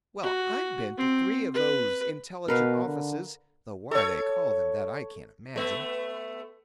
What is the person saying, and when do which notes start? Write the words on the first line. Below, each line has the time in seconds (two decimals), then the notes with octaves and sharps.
Well, I've been to three of those intelligence offices--though why they call them that I can't imagine.
0.23 F#4
0.97 C4
1.54 B4
2.48 B2 A#4 B4 F5
2.85 D3
3.91 A4 C#5
5.56 A3 B3